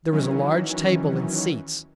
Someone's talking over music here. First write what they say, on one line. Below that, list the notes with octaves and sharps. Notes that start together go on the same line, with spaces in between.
There was a large table and seats.
D#3 E3 F#3 C#4